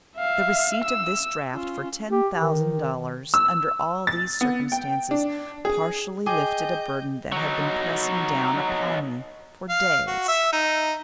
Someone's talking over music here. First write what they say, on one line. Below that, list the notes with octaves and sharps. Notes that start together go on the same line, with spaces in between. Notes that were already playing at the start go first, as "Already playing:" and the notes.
The receipt of this draft for ten thousand dollars, under all these circumstances, partially lifted a burden that had been pressing down upon me for days.
E5 F5
E6
C#4 F4
G4
D#3
E6
A6
B3
G5
D4
G#4
G#4 D#5 G5 D6 G6
F#3 D#4
F5
F#4
E5
D#4